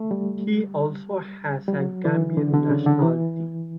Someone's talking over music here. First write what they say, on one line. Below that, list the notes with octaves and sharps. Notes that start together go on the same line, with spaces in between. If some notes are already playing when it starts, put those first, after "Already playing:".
He also has a Gambian nationality.
Already playing: A3
G3
G3
F#3
E3
D3
D3
C#3
D3
E3